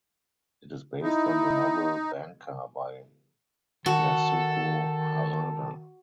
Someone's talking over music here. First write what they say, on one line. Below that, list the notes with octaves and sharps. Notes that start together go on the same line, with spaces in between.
It is based on the novel "Banka" by Yasuko Harada.
D#4 E4
D#3 F#4 A4 A5